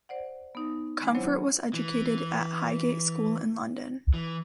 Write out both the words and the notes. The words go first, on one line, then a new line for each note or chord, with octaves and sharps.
Comfort was educated at Highgate School in London.
C5 D5 F#5
B3 D#4
D#3 G#3 B3
F#3 C4 D4 E4 C5 C#5
E3
E3